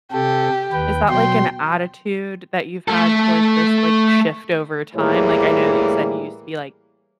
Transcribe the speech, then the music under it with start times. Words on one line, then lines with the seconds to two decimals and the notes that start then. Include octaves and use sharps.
is that, like, an attitude that you've had towards this, like, shift over time? Like, I know that you said you used to be, like,
0.12 C3 G4 A4
0.72 D#2 B4 G5
1.10 B2 F#3 G5 C6
2.88 A3 A4
4.96 A2 E3 G3 A#3 G#4